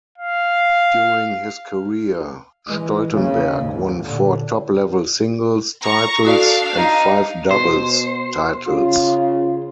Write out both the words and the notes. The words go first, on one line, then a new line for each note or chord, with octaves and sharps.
During his career, Stoltenberg won four top-level singles titles and five doubles titles.
F5
E3 G#3
C#3 A#3
D#2 G#2
A#2 D3
A#5 C#6
D4 F#4 A4 D5 F5
D#4
B2 C5
C#3 F4